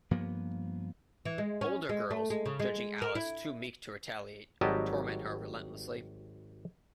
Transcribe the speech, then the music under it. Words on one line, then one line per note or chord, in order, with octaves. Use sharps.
Older girls, judging Alice too meek to retaliate, torment her relentlessly.
G2 F3 A#3 B3
E3
G#3
C#4
G#3
A3
G#3
C#3
G#3
A#4
E4
G#1 F#3 G3 G4 D#5 A5